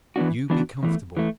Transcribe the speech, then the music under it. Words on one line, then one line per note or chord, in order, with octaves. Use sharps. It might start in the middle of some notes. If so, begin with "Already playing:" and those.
You be comfortable.
E3 B3 D4 F#4
E3 B3 D4 F#4
E2 E3 A3
E3 A3